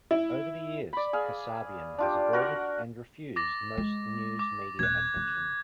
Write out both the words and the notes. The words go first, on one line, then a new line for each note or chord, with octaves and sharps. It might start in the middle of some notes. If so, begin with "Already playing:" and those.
Over the years, Kasabian has avoided and refused most news media attention.
E4
D5 B5
G#4 F5
D4 F4 G4
F#4 A#4 F#5
D6 A6 A#6
G#3
D6
D#1 F#6 G#6
C#3